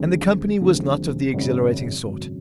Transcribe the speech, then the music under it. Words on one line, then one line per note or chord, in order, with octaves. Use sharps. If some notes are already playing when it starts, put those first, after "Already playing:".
And the company was not of the exhilarating sort.
Already playing: D#2 D3 F3 G#3 C4
D#2 D3 F3 G#3 C4
G#1 F#2 C#3
G#1 F#2 C#3